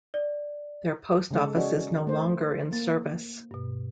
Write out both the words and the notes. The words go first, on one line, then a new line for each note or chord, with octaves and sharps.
Their post office is no longer in service.
D5
C#3 G#3 A4
C#4 F#4 G#4 D5 D#5
A3 C5
A#3 A6
G2 B2